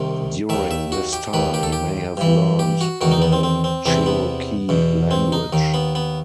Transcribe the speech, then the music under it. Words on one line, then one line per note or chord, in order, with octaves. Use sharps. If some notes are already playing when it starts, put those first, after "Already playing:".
During this time he may have learned the Cherokee language.
Already playing: C2 C3 D#3
D#2 D#3 E5
E5
F#4
G4
D#2 D#3 B4
G4
A4
G4
G2 E3
G4
F#4
E2 D#3 F#4
D#4
B3
C4
C4
C4
E2 C3 E3 C4
B3
E2 B2
C4
D#4
D#2 D#3
B3
B3